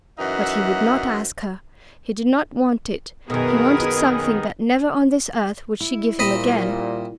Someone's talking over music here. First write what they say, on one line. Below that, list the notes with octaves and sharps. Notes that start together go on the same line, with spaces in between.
But he would not ask her; he did not want it; he wanted something that never on this earth would she give him again.
F#2 E3 D#4 E5 F#5
F#2 B2 D#3 B3 D#4 G#4 A#4 B4
E4
A#2 G3 C4 D#5 B5